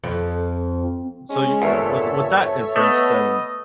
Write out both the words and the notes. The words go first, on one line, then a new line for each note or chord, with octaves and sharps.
so you with with that inference, then
F2
G#3 C#4
G1 E2 A#2 A4 C#5 E5
A3 B3 D#5